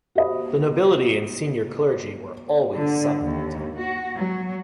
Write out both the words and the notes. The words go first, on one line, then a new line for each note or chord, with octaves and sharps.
The nobility and senior clergy were always summoned.
F#4 G4 C5 D#5 B5
D3
D#2
F#4
F#3